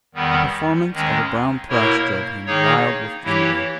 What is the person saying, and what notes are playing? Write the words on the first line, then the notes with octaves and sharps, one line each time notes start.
The performance of a brown thrush drove him wild with envy.
E2 D#3 G3 B3
D#2 D#3 G#3 C#4
B2 A#3 E4 A#4 C#5
D#3 A#3 D#4 G#4 C#5
E3 A#3 E4 G4 C#5